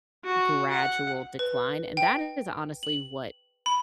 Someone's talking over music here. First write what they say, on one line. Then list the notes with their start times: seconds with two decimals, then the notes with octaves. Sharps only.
gradual decline, and that is honestly what
0.24 F#4
0.71 F#5
1.39 B4
1.97 G5
2.83 F#7
3.66 B5